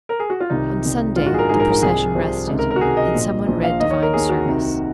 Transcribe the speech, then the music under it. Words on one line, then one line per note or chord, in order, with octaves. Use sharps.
On Sunday the procession rested and some one read divine service.
A#4
G#4
F#4
F4
C2 C3 D#3 D#4
C2 C3 D#3
A#1 G#2 D#3 F4
F#4
G#4
A#4
A#1 G#2 D#3 G#4
A#4
A#4
C2 C3 F3 G#4
C2 C3 F3
C#2 C3 D#3
A#4
A#4
F#4
C#2 C3 D#3 G#4
D#5
A#1 A#2 F3
A#1 A#2 F3
F5
D#2 D#3 D#5
C#5
A#4
D#2 D#3 G#4
F#4
C2 C3 D#3